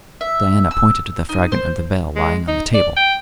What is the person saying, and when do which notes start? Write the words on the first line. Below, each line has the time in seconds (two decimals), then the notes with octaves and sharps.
Diana pointed to the fragment of the veil lying on the table.
0.21 E5
0.71 E6
1.29 D#4
1.52 C5
2.16 G#3
2.48 D#4
2.74 D5
2.97 G5